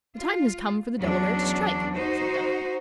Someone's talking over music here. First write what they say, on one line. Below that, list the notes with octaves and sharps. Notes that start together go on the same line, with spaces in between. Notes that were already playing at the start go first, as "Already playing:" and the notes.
"The time has come for the Delaware to strike!" said Duncan.
F4
E2 F#3 C#4 D4
D#4 F#4 C5